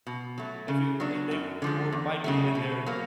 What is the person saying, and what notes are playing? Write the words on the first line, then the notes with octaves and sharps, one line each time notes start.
w if you if they we're might be in there,
B2
F#3 A3
C#3
F#3 B3 D4
F#2
D3 F3 G#3
E2
C#3 F#3 A3
B2
F#3 A#3